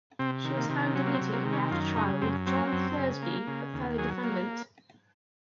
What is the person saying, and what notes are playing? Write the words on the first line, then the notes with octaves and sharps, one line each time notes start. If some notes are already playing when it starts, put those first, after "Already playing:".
She was hanged immediately after trial with John Thursby, a fellow defendant.
C3 C4
D#3
A#3
C3
F#3 C#4
A#3
C4
C3
A#3
D#3
C#4
F#2 F4
C#3 D#4
F#2 C4
F#3 C4
A#3
F#2 C4
C#3
A#3
C#3
D#2
F#3 G#4
A#3